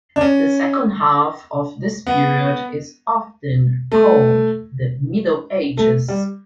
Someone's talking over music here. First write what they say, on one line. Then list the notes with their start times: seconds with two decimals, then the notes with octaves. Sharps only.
The second half of this period is often called the Middle Ages.
0.16 D4
0.21 C#4
2.07 B3
3.92 A3
5.77 A3
6.08 G3